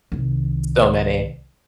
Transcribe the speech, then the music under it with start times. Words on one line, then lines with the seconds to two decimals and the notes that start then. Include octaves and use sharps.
So many.
0.12 C2 D#3